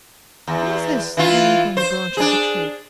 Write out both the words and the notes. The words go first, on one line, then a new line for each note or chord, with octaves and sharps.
What is this hanging from the branch of the tree?
E2
E3 F4
C5
D4 G#4